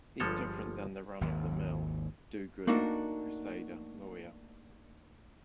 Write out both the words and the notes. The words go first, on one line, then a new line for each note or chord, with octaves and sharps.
He's different than the run-of-the-mill do-gooder crusader lawyer.
G1 F3 G3 G#3 A4 C#5
G#1 D#2
A3 A#3 D4 D#4 F#4